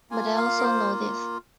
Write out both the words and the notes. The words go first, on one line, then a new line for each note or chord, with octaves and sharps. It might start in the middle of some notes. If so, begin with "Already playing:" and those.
But I also know this.
A#3 F4 G#5
F5
A#4
C5